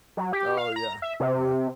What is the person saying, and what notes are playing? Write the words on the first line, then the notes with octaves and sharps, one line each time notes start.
Oh yeah, yeah.
F#3
G4
F5
A#5
E5
C3